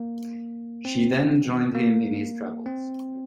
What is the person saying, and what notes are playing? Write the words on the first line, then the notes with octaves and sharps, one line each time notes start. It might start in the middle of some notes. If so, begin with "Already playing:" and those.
She then joined him in his travels.
Already playing: A#3
C4
A#3
C4